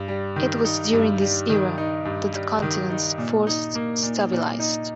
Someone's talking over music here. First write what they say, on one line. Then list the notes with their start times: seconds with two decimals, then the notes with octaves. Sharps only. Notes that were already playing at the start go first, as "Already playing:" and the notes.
It was during this era that the continents first stabilized.
Already playing: G2
0.08 G3
0.36 D#3
0.65 D#4
0.93 G2
1.21 G3
1.49 D#3
1.78 D#4
2.05 G2
2.33 G3
2.62 D#3
2.90 D#4
3.18 A#2
3.47 D#4
3.75 A#3
4.03 A#2
4.32 A#2
4.60 D#4